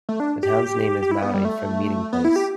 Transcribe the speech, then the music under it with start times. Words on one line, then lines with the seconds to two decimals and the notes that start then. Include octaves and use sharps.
The town's name is Maori for "meeting place".
0.09 A3
0.20 D4
0.43 G4
1.02 G4
1.11 E4
1.22 B3
1.34 G3
1.45 A3
2.13 B3
2.25 E4
2.36 G4